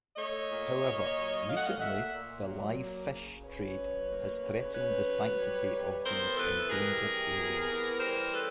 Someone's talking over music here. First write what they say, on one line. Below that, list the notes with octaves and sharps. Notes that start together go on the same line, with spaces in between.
However, recently the live fish trade has threatened the sanctity of these endangered areas.
A3 C#5 D#5
A#2
A#2
F#3
A3 F5
F#5
D#5 F5
A#2 E5 F#5
A#2
F#3
A#3
C#3
C#4 B4 C#5
F#3
A#3
C#3
C#4 B4 C#5
F#3
G3
C3
B3 A#4 C5
E3 A4 B4
G3 G#4 A#4
C3
B3
E3
G3 A#4 C5
C#3 A4 B4